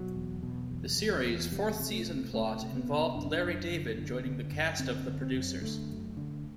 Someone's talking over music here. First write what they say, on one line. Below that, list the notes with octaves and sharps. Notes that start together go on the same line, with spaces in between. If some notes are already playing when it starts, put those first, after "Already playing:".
The series' fourth season plot involved Larry David joining the cast of "The Producers".
Already playing: B2 F#3
E2
B2
E2
E2
E2
C3 G3
C3
A3
C2
C3 A3
C3
B3
C3
F#2 D4
F#2
D3
D3
D3
F#2
D3 C4
D3
C4
F#2
D3 A3
F#2
D3